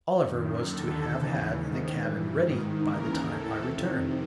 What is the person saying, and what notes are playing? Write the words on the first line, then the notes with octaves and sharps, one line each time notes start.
Oliver was to have had the cabin ready by the time I returned.
F#2 D#3
D#2 D3 A4
D#2 C#3 E3
G#2 D#3
G2 E3
G#2 D#3
D#2 C#3 E3 A#4
A2 E3 A4
F2 C3 D#3